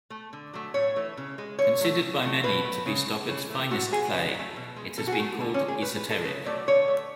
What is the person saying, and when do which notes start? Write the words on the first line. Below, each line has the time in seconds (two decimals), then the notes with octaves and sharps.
Considered by many to be Stoppard's finest play, it has been called "esoteric".
0.10 A3
0.33 D3
0.54 F#3 A3
0.74 A2 C#5
0.96 E3 A3
1.17 C#3
1.38 G#3
1.59 D3 C#5
1.81 F#3 A3
2.01 C#3
2.23 F#3 A3
2.43 B2 B4
2.64 A3
2.86 C#3
3.07 G#3
3.28 C#3
3.50 E3 A3
3.71 A2 F#4
3.92 G#3 G#4
4.13 C#3 B4
4.34 F#3 A3
4.56 B2
4.76 G#3
4.97 B2 A4
5.07 F#4
5.12 G#4
5.18 F#3 A3
5.40 D3
5.54 C#4
5.61 G#3
5.68 G#4
5.82 A2 B4
5.96 B4
6.04 G#3
6.11 A4
6.24 C#3 B4
6.46 F#3 A3 D5
6.67 D3 C#5
6.88 A3